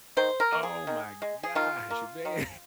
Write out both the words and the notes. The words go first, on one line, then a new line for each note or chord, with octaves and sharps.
Oh my gosh, man,
D#3 C5
A#4
A#3
G#4
D#3
G#3
G#4
D#3 F4
A#3
D#3